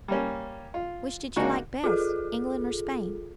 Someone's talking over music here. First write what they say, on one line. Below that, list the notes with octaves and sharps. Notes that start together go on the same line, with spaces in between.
"Which did you like best--England or Spain?"
G3 A#3 C#4
F4
C#3 G#3 A#3 D4 D#4 F#4
F4 G#4 A4